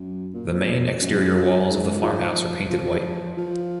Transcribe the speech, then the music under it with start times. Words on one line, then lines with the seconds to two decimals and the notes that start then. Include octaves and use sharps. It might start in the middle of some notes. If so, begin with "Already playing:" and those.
The main exterior walls of the farmhouse are painted white.
Already playing: F#2
0.33 A#2
1.01 F#2
1.69 G#2
2.03 F3
2.70 F3
3.37 F3